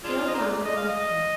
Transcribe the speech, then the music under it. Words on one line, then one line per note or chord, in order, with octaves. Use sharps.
The old man never left me.
G#3 D4 F4
D#5
F4 A#4 D5
D#5
F5
D#5